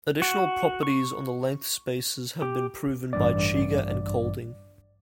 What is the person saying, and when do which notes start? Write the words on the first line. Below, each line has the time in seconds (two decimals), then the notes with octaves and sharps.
Additional properties on the length spaces have been proven by Cheeger and Colding.
0.22 F#4
0.83 C#6
2.42 G4
3.13 A1 G2 D5